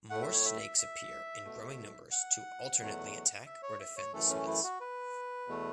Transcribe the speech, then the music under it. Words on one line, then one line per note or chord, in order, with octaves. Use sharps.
More snakes appear in growing numbers to alternately attack or defend the Smiths.
A2 A3 F#5
E5
C#5
E5
E5
B2 A3
F#5
E2 B2 F#3 A3
E5
C#5
E5
C#5
F#2 E3 A3 A4
C#4
E4
F#4
B4
E2 B2 A3